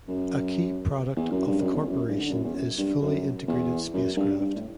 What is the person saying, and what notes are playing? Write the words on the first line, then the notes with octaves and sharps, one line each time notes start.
A key product of the corporation is fully integrated spacecraft.
F#2
E2
F#2
G2
F#2
E2
F#2
G2
D3
F#2
E2
F#2
G2
F#2
E2
F#2
G2
G2
A2